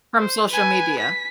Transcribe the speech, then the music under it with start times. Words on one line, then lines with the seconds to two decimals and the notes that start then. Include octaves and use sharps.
From social media.
0.20 C5
0.50 B4 G#5
0.99 B6